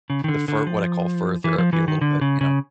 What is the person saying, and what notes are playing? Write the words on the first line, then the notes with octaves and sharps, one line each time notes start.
the fur what I call "fur therapy," a little bit, you know,
C#3
D#3
D3
D3
F3
E3
F3
E3
D#3
D3
C#3
C#3